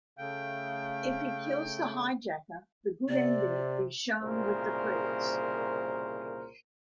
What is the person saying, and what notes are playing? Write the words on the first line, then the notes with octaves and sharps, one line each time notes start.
If he kills the hijacker, the good ending is shown with the credits.
C#3 A3 F5 G5
C3 D5
C2 A#2 C#3 A#4 C5